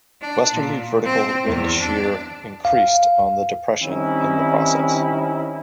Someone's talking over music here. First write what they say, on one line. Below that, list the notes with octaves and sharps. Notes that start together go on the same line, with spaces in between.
Westerly vertical wind shear increased on the depression in the process.
D4
A#2
C4
E2
D4
F5
D#3 G3 C4 C#4 D#4 E4